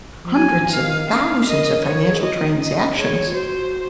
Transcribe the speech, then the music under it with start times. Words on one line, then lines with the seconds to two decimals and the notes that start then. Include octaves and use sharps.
hundreds and thousands of financial transactions,
0.24 F3
0.35 F#3 G#5
0.53 F3
0.72 D#3 F5
1.10 C#4 F5
1.47 A#4 D#5
1.84 C5 C#5
1.97 A#4
2.10 G#4
2.21 F#4 D#5
2.34 F4
2.47 D#4
2.58 C#4 D#5
2.97 G#4 C#5
3.27 F4
3.34 F#4 C5